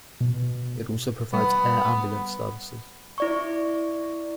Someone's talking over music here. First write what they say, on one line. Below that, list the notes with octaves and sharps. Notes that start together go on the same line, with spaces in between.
It also provides air ambulance services.
B2
G3 B3
E4 D5 C#6